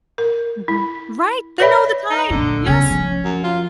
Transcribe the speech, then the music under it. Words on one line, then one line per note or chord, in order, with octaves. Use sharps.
Mhm. Right, they know the time! Yes,
A#4
E4
B4 C#5 D5 E5 B5
D#4
A#1 F#2 D3
C#3 B3 C#4
F3
F#2
F4